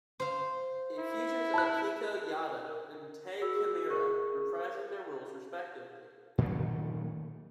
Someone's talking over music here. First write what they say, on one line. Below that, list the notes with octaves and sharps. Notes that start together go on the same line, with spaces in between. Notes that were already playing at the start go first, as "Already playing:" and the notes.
It features Akiko Yada and Tae Kimura reprising their roles respectively.
C5 F5
E4
A5 B5 F#6
A#4
F#4 G#4 E6
G#4 A#4 C#6
A#2 D#3 F#3 A3